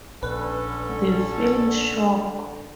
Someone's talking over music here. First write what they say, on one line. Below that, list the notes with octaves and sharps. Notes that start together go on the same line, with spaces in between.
The film, Shock!
A#1 D3 C#4 A4 B4